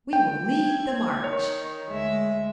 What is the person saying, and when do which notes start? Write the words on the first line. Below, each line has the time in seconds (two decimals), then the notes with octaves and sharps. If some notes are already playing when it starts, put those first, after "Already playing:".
"We will lead the march."
0.13 G5
0.66 G#6
1.24 D#3 C#5
1.89 D2 G#3 E5